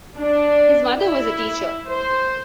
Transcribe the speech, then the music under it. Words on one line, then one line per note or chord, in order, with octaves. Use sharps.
His mother was a teacher.
D4
E4
C5